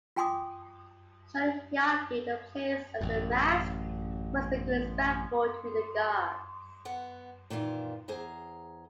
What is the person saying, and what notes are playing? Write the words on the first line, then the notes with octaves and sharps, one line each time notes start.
Surely, he argue, the plays and the masks must be disrespectful to the gods.
F4 G5 G#5 C6 D6 D#6
A1 F#2
B3 F#5
A#2 D#3 E3 F4
E2 G#4 C5 A#5